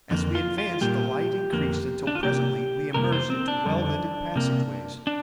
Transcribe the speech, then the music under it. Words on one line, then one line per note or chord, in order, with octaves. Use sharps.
As we advanced the light increased until presently we emerged into well-lighted passageways.
F2 D3 A#3
F4
F4
A#2 G3 A#3 G4
F2 D3 A#3
D4
F4
C3 A#3 G4
F2 C3 G3 A#3 A#4
C5
C4
D4
F2 D3 G3
C3 A#3
D4